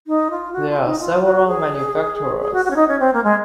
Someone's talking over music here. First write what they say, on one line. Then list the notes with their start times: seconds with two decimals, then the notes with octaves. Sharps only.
There are several manufacturers.
0.07 D#4
0.30 F4
0.53 F#4
0.69 F4
0.85 D#4
1.00 F4
1.24 F#4
1.47 G#4
2.41 G#4
2.53 F#4
2.65 F#4
2.70 C#4
2.76 D#4
2.88 C#4
3.00 C4
3.13 A#3
3.24 G#3